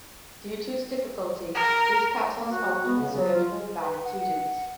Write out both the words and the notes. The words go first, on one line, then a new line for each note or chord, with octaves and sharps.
Due to its difficulty, this kata is often reserved for advanced students.
A#4
A#3
F#4
F#4
B3
C#3
F#3
F4
B4
F#5